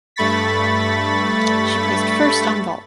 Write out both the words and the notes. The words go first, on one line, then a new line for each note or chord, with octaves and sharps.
She placed first on vault.
G2 A3 B5 C#6 A6 B6